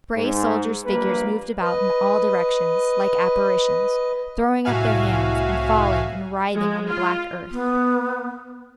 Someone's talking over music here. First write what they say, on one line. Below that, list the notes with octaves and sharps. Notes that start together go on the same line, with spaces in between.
Grey soldiers' figures moved about in all directions like apparitions, throwing up their hands and falling and writhing on the black earth.
G#2
A#1 G3 A#3 B4
B4 D#5
C2 A2 F#4 E5 F5 G#5
G#3
F4
B3